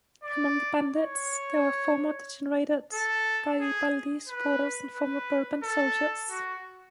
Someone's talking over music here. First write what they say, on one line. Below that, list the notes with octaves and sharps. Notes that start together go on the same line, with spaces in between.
Among the bandits, there were former degenerated Garibaldi supporters and former Bourbon soldiers.
D5
C#5
A4
G#4
B4
B4
A4
F#4